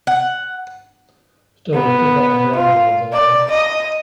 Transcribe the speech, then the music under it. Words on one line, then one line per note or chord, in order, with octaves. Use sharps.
Stories differ on the origin of the name.
F#5
B3
F4
D5
D#5